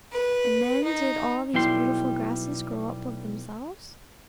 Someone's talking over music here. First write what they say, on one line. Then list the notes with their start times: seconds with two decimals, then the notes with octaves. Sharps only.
And then did all these beautiful grasses grow up of themselves?
0.12 B4
0.84 D#4
1.54 B1 G3 E4 G5 C6